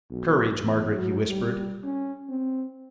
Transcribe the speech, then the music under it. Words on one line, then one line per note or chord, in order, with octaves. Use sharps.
"Courage, Margaret," he whispered.
B1
E2
F#3
G3
C#4
C4